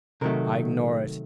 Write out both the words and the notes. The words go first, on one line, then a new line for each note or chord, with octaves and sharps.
I ignore it.
C3 D#3 F#3 A3 A#4